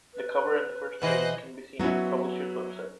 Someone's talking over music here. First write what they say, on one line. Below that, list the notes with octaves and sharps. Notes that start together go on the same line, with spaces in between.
The cover and the first pages can be seen on the publisher's website.
B4
B2 E3 G#4 B4 C5 D#5 F#6
F#3 B3 C#4 E4 F#4